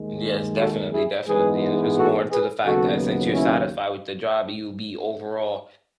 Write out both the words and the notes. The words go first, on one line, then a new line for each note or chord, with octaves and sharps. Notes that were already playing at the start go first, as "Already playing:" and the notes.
Yes. Definitely, definitely, and it just more into the fact that since you're satisfied with the job, you'll be overall
Already playing: D#2 D#3 G#3
F#4 A4
E4 G#4
G#2 E3 G#3 B3 G#4 B4
F#4 A4
G#4 B4
D#2 C#3 F#3 B3 F#4 A4
C#4 E4